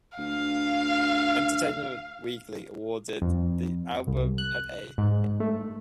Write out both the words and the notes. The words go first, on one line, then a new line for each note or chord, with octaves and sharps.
"Entertainment Weekly" awarded the album an "A".
D2 F5
F2
C2
F#6
G#2
A3